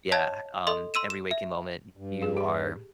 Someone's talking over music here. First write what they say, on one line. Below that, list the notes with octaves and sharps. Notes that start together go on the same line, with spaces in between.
yeah, um, every waking moment, you are
C#5 D#5 A5 G#6
A4 D#5 C6
C6 E6 D#7 E7
E7
E5
G2
G#4 F5
G4